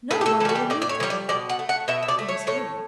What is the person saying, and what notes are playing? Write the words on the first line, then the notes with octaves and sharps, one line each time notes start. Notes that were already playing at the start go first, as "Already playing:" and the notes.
No one would allude to her . . . in his hearing.
A2 B4
G4
A4
E3 G3 F#4 A4
G4
A2 D5
D5
C#5
E3 G3 C#5
D5
B2 D5
F#5
A3
F#5
B2 E5
E5
D5
A3
C#5
A2 C#5